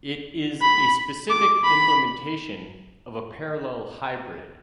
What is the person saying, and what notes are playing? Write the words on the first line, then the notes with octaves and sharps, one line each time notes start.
It is a specific implementation of a parallel hybrid.
B5
D6
B5